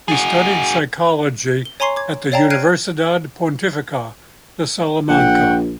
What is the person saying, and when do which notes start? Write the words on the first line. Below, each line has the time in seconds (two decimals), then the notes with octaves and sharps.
He studied psychology at the Universidad Pontificia de Salamanca.
0.08 F#4 G#4
1.65 G7
1.80 C#5 G#5 A#5 C6 C#6 C7
1.96 D6 G#6
2.32 C#5 D5 F5 G5 A5 A#5
2.50 F6 F#6 G#6 C7 D7 D#7
5.09 A#1 F#5 G5